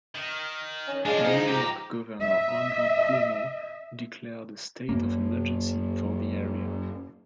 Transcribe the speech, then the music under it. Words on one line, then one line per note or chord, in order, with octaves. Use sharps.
New York Governor Andrew Cuomo declared a State of Emergency for the area.
D#3
C#4
F3 G#3 D4 G#4 D#5 F5
G#2 D#4
G4 A#5
D#5 E5
F#2 A#3